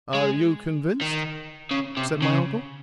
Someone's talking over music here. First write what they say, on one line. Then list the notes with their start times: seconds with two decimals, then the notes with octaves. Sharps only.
"Are you convinced?" said my uncle.
0.14 G#3
1.01 D#3
1.71 C#3
1.97 C3
2.22 C#3